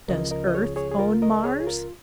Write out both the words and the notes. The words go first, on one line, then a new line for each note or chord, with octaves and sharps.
"Does Earth own Mars?"
C#2 C#3 F3 A#4 D#5
A#4 D#5
D#5
G#4 C#5
G#4 C#5
G#4
F4 A#4
A#4 D#5
G#4 C#5
G#4
F4 A#4